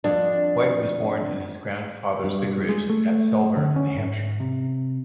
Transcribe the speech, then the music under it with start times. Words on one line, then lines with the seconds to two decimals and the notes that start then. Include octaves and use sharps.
White was born in his grandfather's vicarage at Selborne in Hampshire.
0.04 F2 D4
2.24 G2
2.69 G#3
2.89 A3
3.57 D3
3.76 C#4
3.97 G#2
4.40 C3